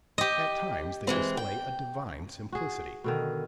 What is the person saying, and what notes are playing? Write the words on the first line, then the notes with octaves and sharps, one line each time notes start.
At times they display a divine simplicity.
G4 D#5
E3 G#3 C4
G5
F#4 G#4
B2 D3 D#3